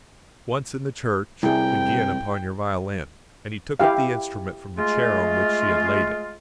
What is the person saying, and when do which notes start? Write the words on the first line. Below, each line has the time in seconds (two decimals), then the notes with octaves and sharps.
"Once in the church, again upon your violin," and he took up the instrument from the chair on which she had laid it.
1.43 C2 E4 G#4 G5
3.80 E4 G4 F5
4.77 G#3 A3 F4